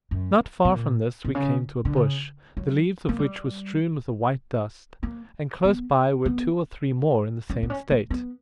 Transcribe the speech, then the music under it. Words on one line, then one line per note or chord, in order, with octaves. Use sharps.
Not far from this we came to a bush, the leaves of which were strewn with a white dust; and close by were two or three more in the same state.
F#2
B2
A#2
B2
C#3
D3
C#3
F#3
A#3
G3
A#3
B3
B3
C#4
B3
C#4
A#3
B3